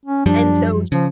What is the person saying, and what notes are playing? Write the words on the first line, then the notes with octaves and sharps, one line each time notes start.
and so
C#4
F#2 F3 G3 D4
C#3 F3